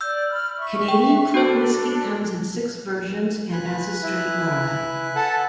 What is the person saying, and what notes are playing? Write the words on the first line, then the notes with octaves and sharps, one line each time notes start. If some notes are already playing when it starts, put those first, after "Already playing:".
Canadian Club whisky comes in six versions, and as a straight rye.
D5 E6 G6
B5 F6
E5 C#6
G5
D4 F#4 A4 C5
B4 G#5 F#6
E4
A4 F#5 A5